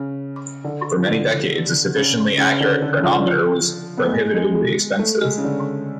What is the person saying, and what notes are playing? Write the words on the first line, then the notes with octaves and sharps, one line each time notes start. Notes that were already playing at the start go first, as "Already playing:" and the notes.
For many decades a sufficiently accurate chronometer was prohibitively expensive.
Already playing: C#3
D3
F3
D3
C#3
C#3
D3
D3
C#3
F3
D3
D3
F3
B3
A3
G#3
G#3
A3
G#3
C#3
D3